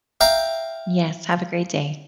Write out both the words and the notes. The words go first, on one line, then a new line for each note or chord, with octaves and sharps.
Yes, have a great day.
E5 F5 G5 A#5